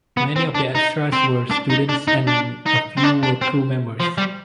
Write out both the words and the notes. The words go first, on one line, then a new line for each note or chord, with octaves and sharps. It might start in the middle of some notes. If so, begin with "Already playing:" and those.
Many of the extras were students and a few were crew members.
B3
C4
D4
D#4
C4
D4
D#4
D4
D#4
D4
D#4
C4
D4
D4
C4
F3
G3